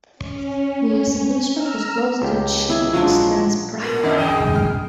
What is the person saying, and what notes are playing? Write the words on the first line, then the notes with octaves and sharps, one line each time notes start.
The establishment was close to Chicksands Priory.
C#4
A#5 E6 F6
C#2 G4
E4 G#4
A#1 F3 F#3 G#3 D4
B2 A#4
F#2 D#3 C#4 D#4 E4
A#1 G#4 D#5 G5
F6